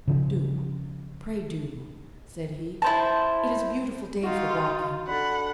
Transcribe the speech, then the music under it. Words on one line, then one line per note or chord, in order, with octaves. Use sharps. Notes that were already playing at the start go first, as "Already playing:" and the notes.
"Do, pray do," said he; "it is a beautiful day for walking."
C#3 F3
E4 C5 A5
D#4 F4 F#4
D4 A4 F#5 B5